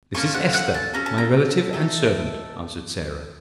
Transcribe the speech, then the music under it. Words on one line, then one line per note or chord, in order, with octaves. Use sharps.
"This is Esther, my relative and servant," answered Sarah.
A#3 C#4 F4 A4 C#6
F#5
F#5
A5
C#4 F#4 A4 A#5
A5
A#5
A3 D#4 A4